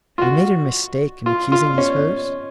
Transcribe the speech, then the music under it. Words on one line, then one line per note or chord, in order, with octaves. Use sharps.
Had he made a mistake in accusing his host?
F4
F#4
F4
F4
C#4